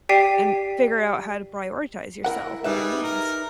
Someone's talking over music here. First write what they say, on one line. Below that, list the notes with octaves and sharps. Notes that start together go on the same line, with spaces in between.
and figure out how to prioritize yourself and your needs.
G4 D5 G5 B6 C7 D#7
E4 A#4 F#5
G3 D#4 G#4 B4 E5
A#4